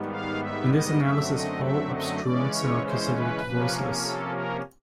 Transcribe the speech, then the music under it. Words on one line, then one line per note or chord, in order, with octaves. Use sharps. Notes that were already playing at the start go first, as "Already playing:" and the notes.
In this analysis, all obstruents are considered voiceless.
Already playing: G#2 D#3 G3 B3
F5
E5
D#5
F#2 D3 F#3 A3 C4 E5
D#5
E5
D#5
C#3 E3 G#3 C#4 D5
C#5
C5
B4
C3 F3 A#3 C#4
A4
A#4